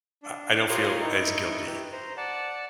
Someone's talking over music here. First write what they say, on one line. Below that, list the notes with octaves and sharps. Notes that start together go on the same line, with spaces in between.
uh, I don't feel as guilty
D4
F4 G4 A#4 C#5 C6 D#6
D#4 E4 C#6
E4 G4 B4
C5 A#5
D5 F#5 A5